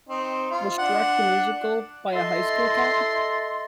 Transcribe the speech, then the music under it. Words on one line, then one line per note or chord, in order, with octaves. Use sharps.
Was Shrek the musical, by a high school, count?
C4 D#4
F4
D4 F#5
E4 A4 D#5 C6